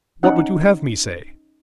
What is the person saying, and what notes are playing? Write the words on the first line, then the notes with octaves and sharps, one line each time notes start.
What would you have me say?'
C#4 D#4 D5 F#5